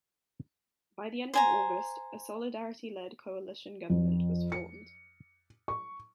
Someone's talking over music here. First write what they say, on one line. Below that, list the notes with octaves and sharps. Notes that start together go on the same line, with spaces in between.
By the end of August, a Solidarity-led coalition government was formed.
C5 G#5 A#5
F2
C#7
C#6